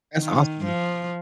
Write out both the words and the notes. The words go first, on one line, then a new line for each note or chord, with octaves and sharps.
That's awesome.
D#3
F3